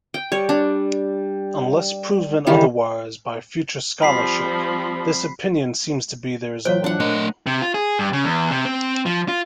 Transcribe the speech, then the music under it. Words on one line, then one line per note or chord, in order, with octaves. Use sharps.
Unless proven otherwise by future scholarship, this opinion seems to be theirs alone.
G5
G3 C#5
D4
D#3 E3 G3
F3 G3 C4 B5 B6 C7
E3 F#3 F4 C5 C#5 F5 G5
D4 F#5
A#2 A3 D4 A#4 D#5 A#5
C3
F4
G#4
G2
C#3
E2
C3
C4
F3
F4